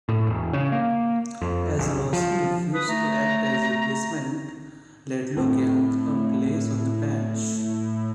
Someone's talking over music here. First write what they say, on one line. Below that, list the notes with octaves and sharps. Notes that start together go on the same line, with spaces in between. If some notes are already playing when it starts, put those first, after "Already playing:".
As Lawson refused to act as replacement, Laidlaw gained a place on the bench.
A2
E1
C#3
A#3
F2
B1
F3
B4 D#6
A3 A#5
A2 C4 C#4